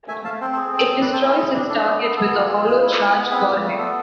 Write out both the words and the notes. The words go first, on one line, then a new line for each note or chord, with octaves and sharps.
It destroys its target with a hollow-charge warhead.
A3 E5 G#5
A3 F5 A5
C4 A4 C5
A4 C5
G#4
C4 A4 C5
C4 A4
B4 D5
C4
A4 C5
E4 G#4
G#4 A4
D4 G#4
D4 A4
B3
B3 A4
B3 A4
F4
G#4
F4
E4
E4
B3
C4 G#4 B4
F4
A3
B3 A4